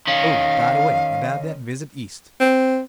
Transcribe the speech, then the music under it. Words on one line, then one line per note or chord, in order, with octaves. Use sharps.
Oh, by the way--about that visit East.
D#3 C#4 F5
C4